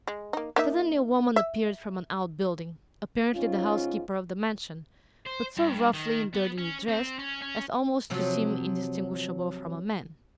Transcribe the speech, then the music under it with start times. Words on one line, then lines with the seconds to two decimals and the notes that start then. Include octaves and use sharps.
Suddenly a woman appeared from an outbuilding--apparently the housekeeper of the mansion, but so roughly and dirtily dressed as almost to seem indistinguishable from a man.
0.07 G#3
0.33 A#3 D#4
0.56 A#3 D#4 E5
1.36 E5
3.35 G#2 C#4 F4
5.26 C5
5.58 G2
5.94 D#3
6.33 B3
6.58 C#4
6.88 C4
7.19 C#4
7.42 C#4
8.10 C3 F3 F#3